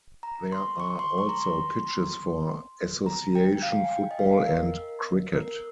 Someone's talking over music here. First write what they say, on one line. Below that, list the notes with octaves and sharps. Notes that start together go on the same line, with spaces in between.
There are also pitches for Association Football and cricket.
A#5
C6
C#6
C6
C#6
A#5
C6
A#5
G5
F5
G#5
G5
D#5
F5
A#4
A#4